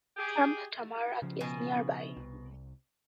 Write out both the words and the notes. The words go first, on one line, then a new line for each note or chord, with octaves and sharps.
Camp Tamarack is nearby.
G4 G#4
C#3 F3
B2 G#5
C2